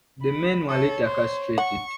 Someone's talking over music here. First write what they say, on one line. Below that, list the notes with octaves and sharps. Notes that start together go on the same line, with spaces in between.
The men were later castrated.
B5
A4 C#5
C5
F#5 C#6